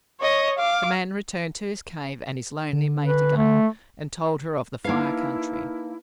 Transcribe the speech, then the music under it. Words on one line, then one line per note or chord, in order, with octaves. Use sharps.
The man returned to his cave and his lonely mate again and told her of the Fire Country.
C#5 D#5
F5 D6
D3
B4
A3
A#3 D#4 E4 B4 F5